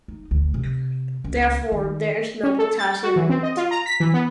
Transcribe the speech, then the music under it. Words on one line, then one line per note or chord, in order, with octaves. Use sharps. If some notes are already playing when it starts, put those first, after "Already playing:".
Therefore, there is no potassium in it.
D#4
D2
C3
C#2
D#3
C#4
A4
A6
F#4
E3
C4
D#5
F4
A#5
B6
E3
B3